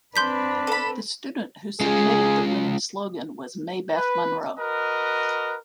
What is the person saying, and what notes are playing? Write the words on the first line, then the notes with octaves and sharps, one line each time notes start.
The student who submitted the winning slogan was Maybeth Monroe.
C4 D4 B4 C6 G6 B6
A4 B5
G#3 C#4 F4 G#4
B4
F#4 A#4 B4 D#5